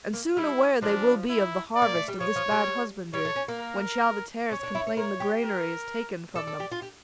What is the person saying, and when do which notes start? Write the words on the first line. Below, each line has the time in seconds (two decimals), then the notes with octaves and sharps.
And soon aware they will be of the harvest Of this bad husbandry, when shall the tares Complain the granary is taken from them.
0.13 A#3
0.37 G3 E4
0.82 F3 D4
1.29 E4
1.75 D5
1.82 A#3
1.95 A3
2.08 G3
2.20 F3 C#5
2.36 F3
2.51 G3
3.13 G3 C#5
3.25 A3
3.36 C#4
3.48 A#3
3.60 A#4
4.52 C#4 C#5
4.63 D4
4.75 E4
4.87 C#5
4.97 A#4 C#5
5.20 G4
5.43 A#4
6.35 A4 D5
6.47 A4
6.60 G4
6.72 F4
6.82 G4